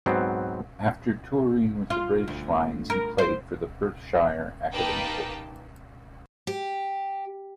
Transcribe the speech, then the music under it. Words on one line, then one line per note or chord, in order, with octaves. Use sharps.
After touring with the British Lions, he played for Perthshire Academicals.
G#2 F#3 B3 C4
F4
D2
A#4
C5
A#3 D#4 G4 B4 G5 A5
G4